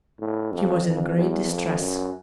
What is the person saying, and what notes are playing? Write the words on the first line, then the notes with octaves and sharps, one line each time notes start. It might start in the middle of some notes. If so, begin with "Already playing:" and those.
She was in great distress.
A2
F2
F2
E2
F2
F#2